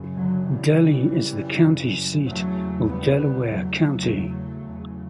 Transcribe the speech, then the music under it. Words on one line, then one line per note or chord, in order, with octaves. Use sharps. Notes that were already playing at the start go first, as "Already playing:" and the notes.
Delhi is the county seat of Delaware County.
Already playing: F#2 C#3
D3 F#3
E3 G3
F#2 C#3
E2 C#3 F#3 A3
G3 B3
E2 C#3 F#3 A3
E2 C#3